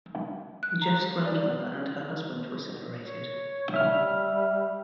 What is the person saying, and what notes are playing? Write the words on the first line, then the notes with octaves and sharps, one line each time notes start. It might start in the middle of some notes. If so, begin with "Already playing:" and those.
Jeff's grandmother and her husband were separated.
F#6
A#5
D5
C#5
G3 E5 F6